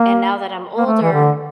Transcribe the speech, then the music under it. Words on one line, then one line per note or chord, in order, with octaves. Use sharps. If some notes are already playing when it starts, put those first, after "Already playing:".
and now that I'm older,
Already playing: A#3
A#3
A3
E3
D3